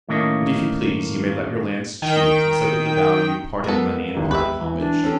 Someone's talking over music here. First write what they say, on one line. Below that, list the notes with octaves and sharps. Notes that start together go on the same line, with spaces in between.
But if you please you may let your lands cheap, and so get the value, part in money and part in homage.
A2 D#3 A3 A#3 C#4 D#5
D#3 G5
G#3 A#3 B3 A4
D1 G#1 D#4
G4 B4 E5
E3
D4
C4 C#4 A4